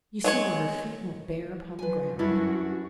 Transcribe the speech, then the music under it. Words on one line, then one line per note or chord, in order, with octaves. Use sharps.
You see where her feet went bare upon the ground.
F#3 G#3 C#5
F3 F#3 B4 G#5
F#2 G3 C#4 D4 E4 F#4